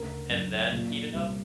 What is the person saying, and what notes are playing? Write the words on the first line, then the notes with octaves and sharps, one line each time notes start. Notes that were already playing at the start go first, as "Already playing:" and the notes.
and then heat it up
Already playing: D2 C#3 A#4
F#2
A#2
C2